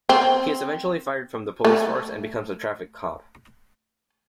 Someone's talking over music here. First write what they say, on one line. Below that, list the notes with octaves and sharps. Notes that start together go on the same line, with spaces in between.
He is eventually fired from the police force and becomes a traffic cop.
C4
A3